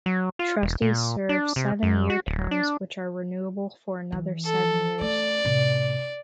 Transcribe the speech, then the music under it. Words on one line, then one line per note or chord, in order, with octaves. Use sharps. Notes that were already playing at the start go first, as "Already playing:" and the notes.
Trustees serve seven-year terms, which are renewable for another seven years.
F#3
F4
E1
A#2
D4
C3
F#2
F#4
D1
D4
E3
A4
A3 D5
A2 C3